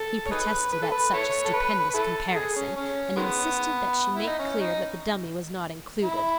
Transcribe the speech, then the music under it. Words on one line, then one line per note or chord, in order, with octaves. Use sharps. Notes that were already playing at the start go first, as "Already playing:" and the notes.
He protested at such a stupendous comparison, and insisted that she make clear that the dummy was not included.
Already playing: A4
C#5
D#4 G#4 B4
B4
A4
B4
E4 A4 C#5
A4
B4
B4
E4 A4
G#4
C#4
C#4
D#3 G#3 B3
E4
D#4
C#4
D#4
E4